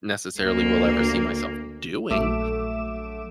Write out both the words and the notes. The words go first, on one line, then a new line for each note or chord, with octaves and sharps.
necessarily will ever see myself doing,
D2 A#3
A#1 F#3 A3 E5 D6 E7